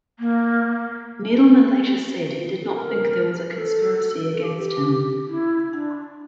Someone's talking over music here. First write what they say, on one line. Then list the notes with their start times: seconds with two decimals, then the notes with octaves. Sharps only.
Needleman later said he did not think there was a conspiracy against him.
0.19 A#3
2.62 A4
2.74 A#4
3.50 A#4
3.58 A4
4.34 A4
4.44 G4
5.28 E4
5.71 D4